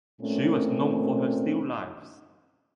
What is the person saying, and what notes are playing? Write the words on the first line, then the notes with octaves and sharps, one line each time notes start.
She was known for her still lifes.
A#2 A3 C4 C#4